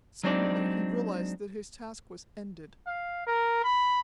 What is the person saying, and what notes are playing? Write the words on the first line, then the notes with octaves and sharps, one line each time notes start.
Suddenly he realized that his task was ended.
F#3 G#3 C4 D4 D#4 D5
F5
A#4
B5